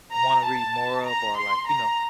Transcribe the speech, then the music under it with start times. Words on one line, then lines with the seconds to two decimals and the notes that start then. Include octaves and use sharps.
wa wanna read more of or, like, you know.
0.13 A#5
0.44 A5
1.05 A#5
1.36 C6
1.66 A#5